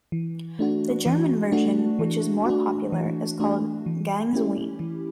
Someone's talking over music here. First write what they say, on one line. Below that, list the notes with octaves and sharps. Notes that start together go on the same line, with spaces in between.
The German version, which is more popular, is called "Ganz Wien".
E3
A3 D4 F#4
E3
A3 D4 F#4
E3
A3 D4 F#4
E3
A3 D4 F#4
E3
A3 C#4 E4 G4
E3